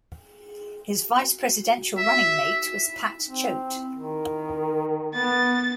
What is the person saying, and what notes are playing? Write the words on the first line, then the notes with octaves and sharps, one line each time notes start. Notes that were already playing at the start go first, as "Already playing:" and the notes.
His vice presidential running mate was Pat Choate.
E5
C4
D#3
B3 A6